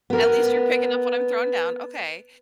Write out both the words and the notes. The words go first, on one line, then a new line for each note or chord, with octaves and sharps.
at least you're picking up what I'm throwing down, okay.
B3 A#4